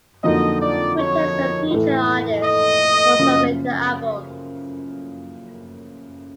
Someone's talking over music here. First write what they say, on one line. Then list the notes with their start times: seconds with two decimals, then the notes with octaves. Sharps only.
He returned as a featured artist for some later albums.
0.23 F2 D3 F#3 A#3 D#4 D#5
0.61 D5
0.98 C#5
1.71 A2 E3 A3
2.44 D#5
3.18 F#2 C#3 F3 A#3